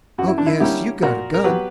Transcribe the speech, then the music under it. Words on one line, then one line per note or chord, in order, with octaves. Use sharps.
Oh, yes, you got a gun.
F#2 F#4
E4
D4
E4
D3 G3 A#3 C#4 E4 G4
A#2 F#4 A#4
A#4
F#3 B3 G4 B4